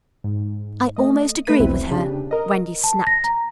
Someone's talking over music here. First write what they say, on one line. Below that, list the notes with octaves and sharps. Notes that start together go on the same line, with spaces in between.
'I almost agree with her,' Wendy snapped.
G#2
A3 D#5
A3 B4 B6 D#7
B1 E2 B2 C4 E4
C#3 D4 G4
A#4 D#5
A5
A#6
A#5